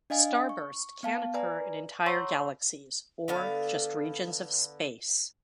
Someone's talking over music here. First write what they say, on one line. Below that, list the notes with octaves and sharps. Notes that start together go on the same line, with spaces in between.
Starburst can occur in entire galaxies or just regions of space.
D4 D#5 F5 G#5
C#6
B3 F5 A5
B4 D5 G#5 A#5
C#5 F#5 A#5 C6 C#6 E6
D3 B3 F5